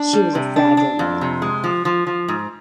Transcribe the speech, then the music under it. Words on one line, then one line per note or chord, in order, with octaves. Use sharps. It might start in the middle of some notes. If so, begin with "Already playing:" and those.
She was a fragile woman.
Already playing: D4
G3
C3
D4
D4
F2
C3
G#3
F3
F3
F3
G#2